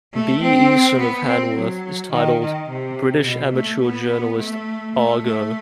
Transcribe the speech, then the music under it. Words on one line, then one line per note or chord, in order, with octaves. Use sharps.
B. Easson of Hanworth is titled "British amateur journalist: Argo".
A3
C4
B3
C4
F#3
D#3
D#3
C3
B2
A3
B3
A3
A3
A3